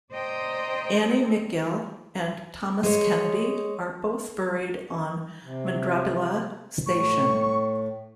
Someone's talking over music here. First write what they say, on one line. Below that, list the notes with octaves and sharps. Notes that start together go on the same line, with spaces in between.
Annie McGill and Thomas Kennedy are both buried on Mundrabilla Station.
C5 D5 D#5 G5 A#5 C6
G#3 C#5
C3
A2 C#6